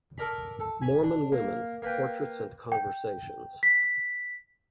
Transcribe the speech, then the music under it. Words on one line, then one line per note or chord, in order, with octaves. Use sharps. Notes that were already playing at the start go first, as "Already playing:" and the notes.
Mormon Women: Portraits and Conversations.
A4 A#4 D5 A#5 B5
A4
G#5 B5
D4
A#3
A#3 B4 G5
G5
B6